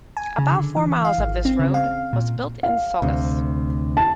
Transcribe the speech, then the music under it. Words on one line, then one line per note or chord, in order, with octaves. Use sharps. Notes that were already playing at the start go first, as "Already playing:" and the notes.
About four miles of this road was built in Saugus.
G#5
C#3
D3
E3
F5
G#1
C4
C#3
F5
A#2
F5
D2 C3
A5